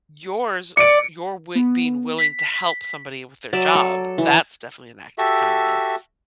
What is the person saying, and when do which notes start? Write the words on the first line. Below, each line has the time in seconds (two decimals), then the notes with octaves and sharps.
Yours your way being willing to help somebody with their job, that's definitely an act of kindness.
0.77 D5 C#7 D7
1.55 B3
2.18 B6
3.53 F#3 D5 E5
3.75 A4
4.18 E3
5.18 F#4 G4 A4 E5